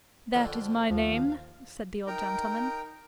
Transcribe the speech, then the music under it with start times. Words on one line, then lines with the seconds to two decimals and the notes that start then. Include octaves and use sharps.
'That is my name,' said the old gentleman.
0.34 F2 D3
0.91 D#2 F3 F5
2.07 D#4 A#4 G5 A#5